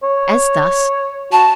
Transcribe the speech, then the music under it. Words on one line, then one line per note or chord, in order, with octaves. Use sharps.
As thus.
C#5
F#4 A5